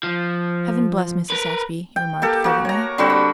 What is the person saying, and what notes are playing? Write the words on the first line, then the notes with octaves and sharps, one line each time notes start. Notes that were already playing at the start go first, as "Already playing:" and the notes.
"Heaven bless Mrs. Saxby," he remarked fervently.
F3
A#4 B4
G5
A#3 G4 A4
A#3 F#4
C#5 A#5
D3 G3 C4 F#4
B5